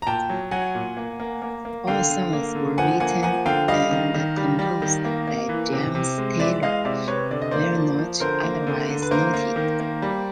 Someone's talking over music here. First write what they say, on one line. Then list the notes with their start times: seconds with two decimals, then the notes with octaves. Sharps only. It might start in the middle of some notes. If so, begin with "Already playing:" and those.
All songs were written and composed by James Taylor where not otherwise noted.
0.02 A#5
0.06 A#2 G5 A5
0.29 F#3
0.51 F#3 F#5 G#5
0.75 A#2
0.97 A#3
1.20 A#3
1.42 A#3
1.65 A#3
1.87 D3 F5 G5
2.10 D3
2.33 A#3
2.55 D3
2.78 F3 F#5 G#5
3.00 A#3 F#5 G#5
3.23 F3 F#5 G#5
3.45 D3 F5 G5
3.68 G3 D#5 F5
3.91 D#3
4.14 D#3
4.37 G3
4.59 G3
4.82 D#3
5.05 A#3
5.27 A#3
5.49 E3
5.73 C3
5.95 C3
6.18 G#3
6.39 E3 D5 E5
6.62 G#3 D#5 F5
6.85 C3 D5 E5
7.07 C3 B4 C#5
7.31 D3 D5
7.42 D#5
7.51 A#3 C5 D5
7.76 F3
7.98 F3
8.20 D3 A#4 C5
8.44 A#3
8.67 D3
8.89 D3
9.02 B4
9.11 A#3 A#4 C5
9.34 A#3
9.56 D#3
9.80 A#3
10.02 G3